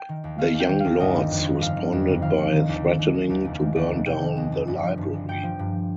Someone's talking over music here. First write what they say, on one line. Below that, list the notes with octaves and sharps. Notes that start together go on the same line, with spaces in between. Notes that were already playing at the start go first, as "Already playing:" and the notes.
The Young Lords responded by threatening to burn down the library.
Already playing: G5
D#3
D#2
D#3 F5
D#2
G5
D#3
D#2 F5
G1 D#5
D#3
F2
G1
G1 F5
D#3
F2
G1
D#3 F5
D#2
D#3
D#2
D#3
D#2
D#3
D#2
F1
D#3
D#2
F1
F1 G5
D#3
D#2
F1
G1
F3
G2
G1
G1 G5
F3
G2